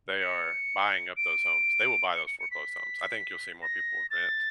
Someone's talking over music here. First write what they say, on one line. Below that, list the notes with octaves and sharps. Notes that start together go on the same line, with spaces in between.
they are buying up those homes, they will buy those foreclosed homes, I think you'll see more people rent,
C#7
D7
C#7
C#7
C#7
B6
A#6
A6